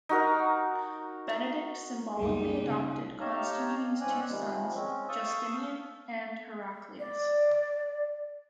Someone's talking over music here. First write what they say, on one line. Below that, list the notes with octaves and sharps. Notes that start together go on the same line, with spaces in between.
Benedict symbolically adopted Constantine's two sons Justinian and Heraclius.
D#4 F#4 A#4
C#2 F#2 G3 A#3 D#4 G#4
C#3 C#4
D#4 G4 C#5 F5 A5 A#5
G#2 C4 C#4 D5 G#5 F#6
C3 D#3 F3 G3 G#3
G#3 C4 C#4
F5 A5 C#6 D#6 E6 G6
D5